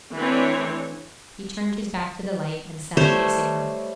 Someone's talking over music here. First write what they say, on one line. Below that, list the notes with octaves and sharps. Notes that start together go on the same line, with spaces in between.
He turned his back to the light, and sat facing her.
E3 A3 C4 D4 C#5
G3 A3 C5 C#5